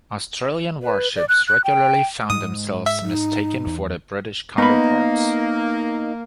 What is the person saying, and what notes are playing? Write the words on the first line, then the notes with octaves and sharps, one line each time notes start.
Australian warships regularly found themselves mistaken for their British counterparts.
B4
D5
F#6
F#6
G5
G#2 G#3 D#6
E5
D#4
E2
A#3 B3 D#4 B5